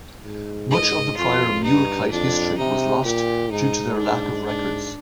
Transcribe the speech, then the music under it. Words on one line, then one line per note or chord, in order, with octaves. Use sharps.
Much of the prior Mulekite history was lost due to their lack of records.
G#2
D#5
F2 F4
G2 D#4
F2 D4
C3 D#4
A#2 G4
G#2 D#4
D4
D4